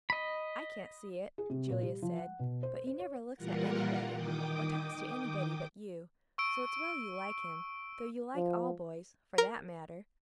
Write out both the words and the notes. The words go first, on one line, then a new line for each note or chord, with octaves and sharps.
"I can't see it," Julia said, "but he never looks at anybody, or talks to anybody but you, so it's well you like him; though you like all boys, for that matter!"
D#5 B5
G#4
C3
A#2
G3
F3
F#5
B2
C5
C5
C#5
A#2 E3 G3 F4 A#4 F#5
D#3 G5 D6 D#6
C#6 E6 D7
F3
A#4